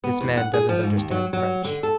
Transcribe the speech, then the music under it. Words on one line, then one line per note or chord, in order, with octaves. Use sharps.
"This man doesn't understand French."
B3
E2
F#5
G#4
F3
G#2
D#2
F#3
F#3
D3
A4